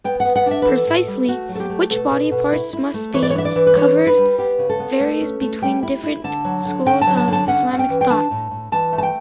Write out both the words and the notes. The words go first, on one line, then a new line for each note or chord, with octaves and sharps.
Precisely which body parts must be covered varies between different schools of Islamic thought.
B3 G5
F#5
B3
F#5
D4 E5
B4
E3 A4
A2
G3
A3 F#4
F#3
A4
G4
A3
B2 A4
B2
B2
E4
E4
A3
E3 C#5
D5
C#5
D4 E5
D5
E3
B4
D4 C#5
D4
B4
G3
B3 G4
C#3
A4
B3
A3
C#4
A3
G3 G5
E4
E4
D3 A5
F#3
D3
D3 G5
A5
F#3
A5
D3
A5
C#4 F#5
C#4 F#5
G5
E3
G5
D4 A5
A2
A2
E3 A5
A3
A5
G5